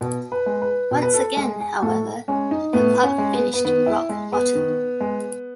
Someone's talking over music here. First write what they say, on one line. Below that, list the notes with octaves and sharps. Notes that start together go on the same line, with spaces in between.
Once again however the club finished rock bottom.
B2
B4
G#3
B4
B2
B4
A4
G#3 G#4
G#4
A2 A4
G#3 C#4
D#4
A2 B3
C#4
G#3
B3
B3
D#3 B3
E4
G#3
B3
D#3
G#3